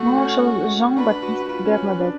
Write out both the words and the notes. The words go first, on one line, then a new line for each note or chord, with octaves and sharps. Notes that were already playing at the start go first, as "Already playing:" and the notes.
Marshal Jean Baptiste Bernadotte.
Already playing: A3 F#4
C#4
D4 B4
F#4
F#4
F4 B4
C#4
D4